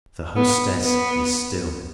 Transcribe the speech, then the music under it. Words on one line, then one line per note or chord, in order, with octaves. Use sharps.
The hostess is still.
B3
B3